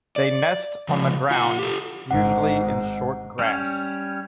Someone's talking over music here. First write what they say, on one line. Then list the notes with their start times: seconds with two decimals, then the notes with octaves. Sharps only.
They nest on the ground, usually in short grass.
0.16 D5
0.89 C#3 F3
1.31 F4 F#5
1.59 G4 A4
2.11 G#1 G#2 F#5
3.39 G3 C#4